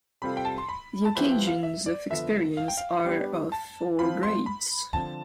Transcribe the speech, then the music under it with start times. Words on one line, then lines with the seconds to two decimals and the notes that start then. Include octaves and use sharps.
The occasions of experience are of four grades.
0.22 C3 G3 C4 F4 A4 B5
0.37 G5
0.45 A5
0.58 C6
0.69 B5
1.05 A5
1.15 F3 B3 E4 G4 C5 B5
1.32 G5
1.47 F5
1.63 E5
1.86 D5
2.10 D3 F3 B3 F4 A4 E5
2.57 F5
2.68 G5
2.77 F5
3.04 G3 B3 D4 G4
3.52 A5
3.98 F3 C4 F4 B5
4.23 C6
4.46 B5
4.93 D3 F3 C4 A5